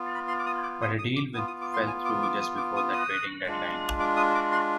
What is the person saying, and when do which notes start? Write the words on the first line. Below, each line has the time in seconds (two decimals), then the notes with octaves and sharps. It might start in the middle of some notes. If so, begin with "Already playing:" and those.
But a deal with fell through just before the trading deadline.
Already playing: B3 F4
0.15 B5
0.28 C6
0.39 D6
0.46 D#6
0.63 D6
0.82 D#6
0.98 D#6
1.16 D6
1.34 B3 D#6
1.38 F4
1.47 D#6
1.61 D6
1.74 C6
1.87 G#5
2.05 D6
2.23 D6
2.40 D#6
2.57 D6
2.76 D#6
2.93 D#6
3.46 G#3 D4 F4
4.00 D6
4.17 D#6
4.35 D6
4.52 C6